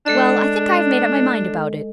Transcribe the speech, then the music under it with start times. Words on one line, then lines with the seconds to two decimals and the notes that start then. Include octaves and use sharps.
Well, I think I have made up my mind about it.
0.06 G#3 D4 A4 D#5